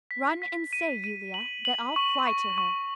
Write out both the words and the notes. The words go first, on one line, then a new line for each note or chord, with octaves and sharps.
Run and say, Yulia, that I'll fly to her.
B6
B6
D#7
D#7
F#7
F#7
C#6
C#6
C#6